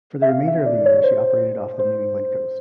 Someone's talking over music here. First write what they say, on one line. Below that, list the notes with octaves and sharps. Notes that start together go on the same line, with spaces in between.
For the remainder of the year, she operated off the New England coast.
E5
F5
E5
D5
C#5
C5
C5